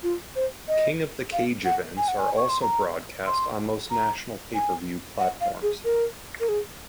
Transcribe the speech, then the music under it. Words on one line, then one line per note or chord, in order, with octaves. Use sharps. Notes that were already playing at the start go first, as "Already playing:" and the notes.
King of The Cage events are also broadcast on most national pay-per-view platforms.
F4
C5
D#5
F5
F#5
G#5
F#5
G#5
C#6
C6
A#5
C6
A#5
G#5
F#5
F5
G#4
A#4
A#4
G#4